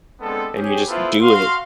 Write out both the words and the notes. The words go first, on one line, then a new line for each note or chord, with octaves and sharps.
and you just do it.
G#3 B3 C4 D4 A4
C#4 G4 G#4
B3 E4 F4 A4 B4 C5
F#4 F5 C6